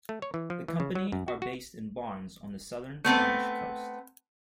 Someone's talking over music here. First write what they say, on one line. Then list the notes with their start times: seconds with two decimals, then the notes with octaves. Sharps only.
The company are based in barns on the southern Cornish coast.
0.09 A3
0.22 C#5
0.34 E3
0.50 F3
0.68 E3
0.80 C#3
0.95 F#3
1.12 F#2
1.28 F#4
1.42 F#4
3.05 A3 B3 C4 B4